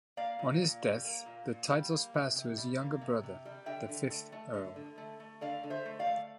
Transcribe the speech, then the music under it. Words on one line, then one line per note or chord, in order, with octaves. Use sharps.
On his death the titles passed to his younger brother, the fifth Earl.
A#3 D5 F5
A#2
A#2
G3
A#3
A#2
A#2
G3
A#3
C3
C3
G3
A#3
C3
C3
G3
D3 E5 G5
D3
A3
A3
D3
D3
A3
A3
D3 D5 F5
D3
C5 E5
A3
D5 F5
A3